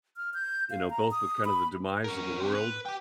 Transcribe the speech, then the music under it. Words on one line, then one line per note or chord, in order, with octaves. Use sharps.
you know, both with kind of the demise of the world,
F6
G6
F5
A#5
D#6
B5
C#4 A#4
C4 D4
B4
G4 G5